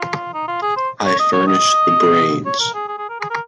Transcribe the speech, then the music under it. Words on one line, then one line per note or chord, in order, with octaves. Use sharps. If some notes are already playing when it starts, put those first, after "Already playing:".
I furnish the brains.
Already playing: F4
D#4
F4
G#4
C5
C#5
D#5
C#5
D#5
C#5
A#4
G#4
G#4
G#4
A#4
G#4
A#4